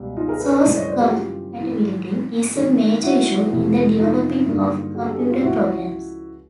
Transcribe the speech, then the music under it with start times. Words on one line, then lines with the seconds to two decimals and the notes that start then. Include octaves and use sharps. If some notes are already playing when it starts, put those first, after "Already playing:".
Source compatibility is a major issue in the developing of computer programs.
Already playing: C#2 B2 G3
0.17 D#4 F4
0.28 G#4 A#4
0.40 A4 B4
0.64 G1 F#2 C#3 E3 G#3 C5 D5
0.76 C#5 D#5
0.88 C5 D5
1.00 F#4 G#4
1.12 F4 G4
1.59 A1 G#2 E3
2.55 F#1 F#2 D#3
3.03 E4 F#4
3.52 F2 C3 E3 A3
3.99 D#4 F4
4.47 G2 D3 F#3 A#3
4.94 F#4 G#4
5.06 G4 A4
5.18 F#4 G#4
5.30 F4 G4
5.43 C#2 C#3 F3 E4 F#4